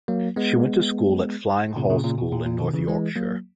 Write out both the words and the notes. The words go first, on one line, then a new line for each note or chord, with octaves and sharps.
She went to school at Fyling Hall School in North Yorkshire.
F#3 A#3
G#3 B3
A#2 C#3
A#2 C#3
A#2 C#3
B2
A#2
A#2
B2 D#3
C#3 E3
E3 G#3
F#3 A#3